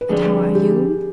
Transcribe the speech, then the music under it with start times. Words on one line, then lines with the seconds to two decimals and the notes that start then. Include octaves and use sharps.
And how are you?
0.01 B4
0.09 F2 D3 G3 G#4
0.55 G4